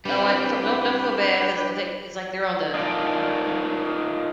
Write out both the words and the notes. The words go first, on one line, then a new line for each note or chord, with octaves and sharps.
Oh, I d don't don't don't feel bad, 'cause, i like it's, like, they're on the
G3 C4 D4 B4 G5
D#4 F4 A4 A#4 D5